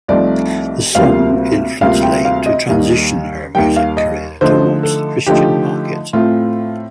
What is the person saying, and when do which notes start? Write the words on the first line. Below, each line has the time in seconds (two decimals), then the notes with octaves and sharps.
The song influenced Lane to transition her music career towards the Christian market.
0.08 C2 C3 F3 A3 D#4 D5
0.95 D2 C3 G3 A#3 F4 F5
1.81 D2 C3 G3 A#3 F4 F5
2.03 G5
2.25 F5
2.46 D#5
2.68 D#2 D#3 G3
3.55 D#2 D#3 G3 G5
3.76 F5
3.97 D#5
4.41 D3 F3 A3 D#4 C5
4.83 A4
5.27 D3 F3 A3 D#4 G4
6.13 A2 A3 C4 F4